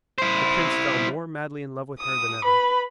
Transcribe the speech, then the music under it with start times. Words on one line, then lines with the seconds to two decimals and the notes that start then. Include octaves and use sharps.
The prince fell more madly in love with her than ever.
0.18 E4 C5
2.00 D#6
2.44 B4 B5